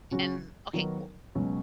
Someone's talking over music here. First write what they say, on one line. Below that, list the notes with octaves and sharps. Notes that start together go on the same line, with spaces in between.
and okay, cool
C#3 F#3 C#4 F#4
D#3 F#3 B3 D#4 A#4
C#2 B2 F#3 C#4